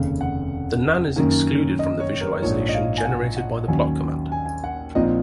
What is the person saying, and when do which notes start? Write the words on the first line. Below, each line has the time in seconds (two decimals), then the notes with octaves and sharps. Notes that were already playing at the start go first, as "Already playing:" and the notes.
The NaN is excluded from the visualization generated by the plot command.
Already playing: F1 D#2 C#3
0.21 F#5
1.16 F#2 D#3 A#3 C#4
1.79 D#5
2.00 C#5
2.21 A#4
2.42 A#1 G#2 F3 C#5
2.69 D#5
2.74 F5
2.98 G#5
3.05 F#5
3.37 F#5
3.68 D#2 D#3 F#3 C#4 G#5
4.32 G#5
4.46 G#5
4.64 F#5
4.95 A#1 A#2 F3 C4 D#4 D#5